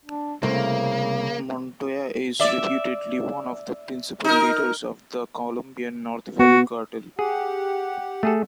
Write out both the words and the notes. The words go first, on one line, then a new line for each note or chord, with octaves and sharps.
Montoya is reputedly one of the principal leaders of the Colombian North Valley cartel.
D4
C2 C#3 A3 A#3 C4
D5 E5
D#4 A#4
B3 F#4
G4 G#4 F#5
A3 G#4 A4